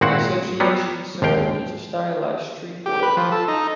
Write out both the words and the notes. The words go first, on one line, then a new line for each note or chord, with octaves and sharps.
The association's symbol is a stylized trefoil.
G#1 A#2 C4 E4 F#4 F#5
F#3 G3 B3
G#1 D#2 F5 G5
G4
B4
F3
A4
D#4